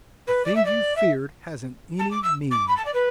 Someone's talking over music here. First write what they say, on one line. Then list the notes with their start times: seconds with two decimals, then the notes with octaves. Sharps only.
The thing you feared hasn't any meaning.
0.27 B4
0.44 D5
0.55 E5
0.64 D5
0.95 E5
1.98 A5
2.10 D6
2.22 E6
2.50 D6
2.67 B5
2.76 A5
2.84 D5
2.93 B4